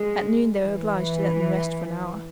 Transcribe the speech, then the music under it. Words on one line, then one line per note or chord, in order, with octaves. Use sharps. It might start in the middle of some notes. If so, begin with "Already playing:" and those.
At noon they were obliged to let them rest for an hour.
Already playing: G#3
E3